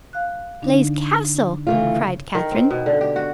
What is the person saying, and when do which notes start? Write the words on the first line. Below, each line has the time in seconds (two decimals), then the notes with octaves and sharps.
"Blaize Castle!" cried Catherine.
0.13 F5 F#6
0.62 D3 D4 D#4
1.67 C#3 E3 A3 F4
2.35 D#3
2.52 C4
2.71 B2
2.86 D3
3.01 G4
3.16 F#4